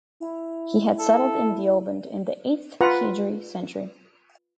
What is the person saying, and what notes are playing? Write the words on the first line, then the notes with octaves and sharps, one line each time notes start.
He had settled in Deoband in the eighth hijri century.
E4
A4
F4 B4 F#5 A#5